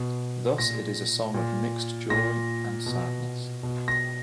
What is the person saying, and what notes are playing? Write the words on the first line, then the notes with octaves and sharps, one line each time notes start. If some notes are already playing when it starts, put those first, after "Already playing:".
Thus it is a song of mixed joy and sadness.
Already playing: B2
A#2 A#6
A#2
A#2 A#6
B2
B2
A#6